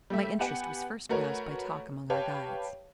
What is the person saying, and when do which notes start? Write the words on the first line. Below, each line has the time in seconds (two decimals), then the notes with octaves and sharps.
My interest was first roused by talk among our guides.
0.10 G3 A3 E5
0.39 B3 G4 B4 F#5 G#5
1.09 A3 F#4 A#4 B4 C#5
2.10 G4 B4 C#5 F5 G5 A5